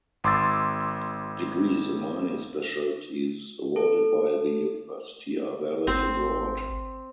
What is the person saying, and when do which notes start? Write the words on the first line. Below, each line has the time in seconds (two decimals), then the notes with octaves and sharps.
Degrees in mining specialities awarded by the University are valid abroad.
0.24 G#1 C6 D6 E6 A6
3.76 A4
5.87 G#1 C4